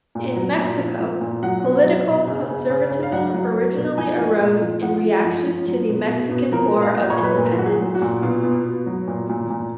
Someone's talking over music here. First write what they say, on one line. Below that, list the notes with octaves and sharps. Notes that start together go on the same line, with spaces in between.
In Mexico, political conservatism originally arose in reaction to the Mexican War of Independence.
A#2
F#3
A#2
F3
F3
A#2
F#3 F#5
B2
F#3
B2
C#3
C#3
C#3
C#3
F5
F#3 F#5
F#3
F#3
B2
F3 G#5
F3
A#2
F3
F3 F#5
F3
F3
F3
F#3
B2
B2
B2
F3 A#4
A#2
F5
A#2 D#5
C#5
A#2
B4
A#2 A#4
F4
F#3 F#4
G#4
F#3
F#4
A#2
B2 F4
B2
B2
F#3
A#2
A#2
A#2